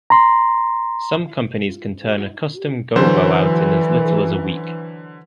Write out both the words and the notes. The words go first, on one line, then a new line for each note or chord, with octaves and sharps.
Some companies can turn a custom gobo out in as little as a week.
A#5 C6
D3 E3 F#3 C5